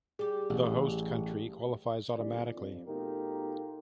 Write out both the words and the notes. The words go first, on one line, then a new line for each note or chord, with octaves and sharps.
The host country qualifies automatically.
G3 G4 G#4
A1
G1 F2 D#3 G#3 D5
F2
B2 A3 D#4 F4 G4 A#4